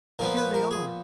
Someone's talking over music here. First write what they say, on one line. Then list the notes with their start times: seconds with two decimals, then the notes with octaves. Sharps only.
Here they are.
0.19 A#2 F3 B3 A#4
0.37 B4
0.54 A#4
0.71 G#4